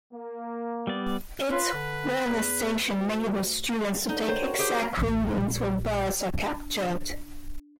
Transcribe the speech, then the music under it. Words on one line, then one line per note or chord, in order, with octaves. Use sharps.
Its weather station enables students to take exact readings when birds are captured.
A#3
G3 B3 D5
F4 B4
D3
E2
D2
D3 D#4
A#4 C5 C#5 G5
F#4
G4 G#4 C5
G#5 C6
A1 D2
A#1
D4